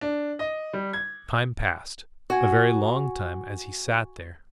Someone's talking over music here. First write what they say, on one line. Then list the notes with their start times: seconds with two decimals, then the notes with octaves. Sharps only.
Time passed, a very long time, as he sat there.
0.01 D4
0.39 D#5
0.73 G3
0.93 G#6
2.30 F#4 G#5